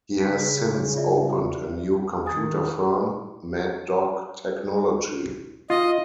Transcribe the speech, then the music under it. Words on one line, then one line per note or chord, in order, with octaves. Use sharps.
He has since opened a new computer firm, Mad Dog Technology.
C#3 B6
F4 D5 E5
D#3 G#5 D#6 A6
F4 D#5